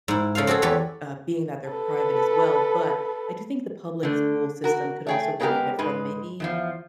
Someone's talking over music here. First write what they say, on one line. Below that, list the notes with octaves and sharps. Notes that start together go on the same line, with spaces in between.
uh, being that they're private as well, but I do think the public school system could also benefit from maybe
G#2 E4
C#3 A4 C5 F5
C4 F#4 G#4 A4
E2 G4 A4 B4 C#5
A4 B4
D3 A3
F#4 A#4
A3 G#4 G5
G#3 A#3 B3 E4 G4 A#4
G#2 G#3 B4
E2 D#3 F3